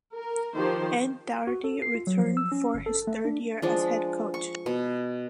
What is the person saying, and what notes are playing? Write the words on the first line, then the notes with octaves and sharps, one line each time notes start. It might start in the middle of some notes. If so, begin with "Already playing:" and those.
Ed Doherty returned for his third year as head coach.
A#4
D#3 F3 G4 C5
F#4
A4
C7
F4
F#3
F3
E6
C#4
G1
A4
A3
D4
F3 G#3 D4
C#6
B2